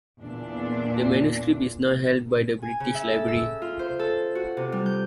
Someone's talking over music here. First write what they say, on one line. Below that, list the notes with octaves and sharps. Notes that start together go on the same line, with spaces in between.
The manuscript is now held by the British Library.
E2 A#2 D4
G#5
C#3
E5
A4
E6
F4
C5
A4
F#4
C3
G3
G6